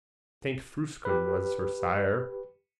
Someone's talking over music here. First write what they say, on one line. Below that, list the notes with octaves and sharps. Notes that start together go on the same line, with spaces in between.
Saint Frusquin was her sire.
G4 B4